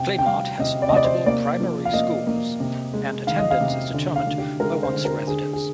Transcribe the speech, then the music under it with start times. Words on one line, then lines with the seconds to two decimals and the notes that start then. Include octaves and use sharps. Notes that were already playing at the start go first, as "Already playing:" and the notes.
Clamart has multiple primary schools, and attendance is determined by one's residence.
Already playing: C3 G5
0.19 G5
0.26 G3 F5
0.59 C3 D#5
0.82 D5
0.89 D#5
0.92 C3 D5
1.04 C5
1.26 A#3 D5
1.60 F3
1.85 F5
1.93 A#3 D#5
2.27 A#3
2.60 C3
2.93 G#3
3.27 D#3 F5
3.39 D#5
3.51 F5
3.61 C3
3.94 D3
4.16 F5
4.27 D3
4.38 G4
4.60 G#3 A#4
4.83 C5
4.93 D3
5.05 A#4
5.27 D3 G#4
5.53 G#4